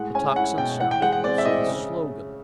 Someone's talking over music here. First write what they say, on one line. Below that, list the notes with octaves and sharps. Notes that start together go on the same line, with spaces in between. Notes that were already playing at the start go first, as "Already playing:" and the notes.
The tocsin sounded, also the slogan.
Already playing: A2 G#3 F#5
C#4 G#5
E4 F#5
B2 G5
E3 F#5
G5
G#3 F#5
F#5
C4 D5
E5
A2 D#5
C#3